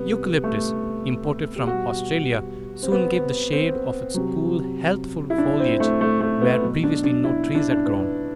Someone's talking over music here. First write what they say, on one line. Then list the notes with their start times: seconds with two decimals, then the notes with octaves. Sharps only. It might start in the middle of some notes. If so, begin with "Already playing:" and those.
Eucalyptus, imported from Australia, soon gave the shade of its cool, healthful foliage where previously no trees had grown.
Already playing: C3 G3 B3
0.44 A3
1.56 G4
1.67 B2 G3 F#4
2.83 C4
2.92 B3
3.53 C4
4.14 C3 F#3
5.30 E4
5.38 D4
5.60 C4
5.80 A3
6.01 A3
6.21 A3
6.41 B3
6.63 B2 F#3
6.84 D4
7.04 D4
7.24 E4
7.55 D4
7.71 D4
7.86 B3